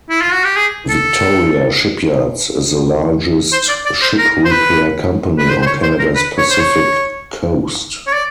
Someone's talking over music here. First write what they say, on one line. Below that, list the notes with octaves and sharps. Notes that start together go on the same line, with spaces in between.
Victoria Shipyards is the largest ship repair company on Canada's Pacific coast.
E4
F4
F#4
G4
G#4
A4
C5
D5
D5
C5
A#4
C5
B4
B4
C5
C5
C#5
C5
A#4
B4
C#5
C5
C#5
C#5
D5